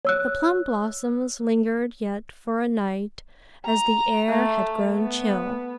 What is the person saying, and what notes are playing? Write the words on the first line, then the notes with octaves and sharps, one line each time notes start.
The plum-blossoms lingered yet for a night as the air had grown chill.
C#5 E6 F#6
A#5
A3
B3